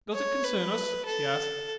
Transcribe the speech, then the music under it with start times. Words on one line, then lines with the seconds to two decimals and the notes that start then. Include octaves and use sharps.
"Does it concern us?" he asked.
0.13 C#5
0.44 B4
1.06 A4